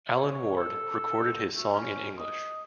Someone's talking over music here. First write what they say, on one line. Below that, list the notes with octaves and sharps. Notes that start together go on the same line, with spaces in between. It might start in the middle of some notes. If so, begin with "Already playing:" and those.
Alan Ward recorded his song in English.
C#5
A4
A3
C#4
D#5